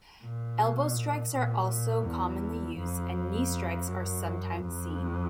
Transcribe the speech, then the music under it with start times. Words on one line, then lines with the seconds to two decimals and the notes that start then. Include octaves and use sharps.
Elbow strikes are also commonly used, and knee strikes are sometimes seen.
0.22 A#2
0.59 B2
0.95 A#2
1.32 A#2
2.05 E2
2.77 F2
3.88 F#2
4.60 F2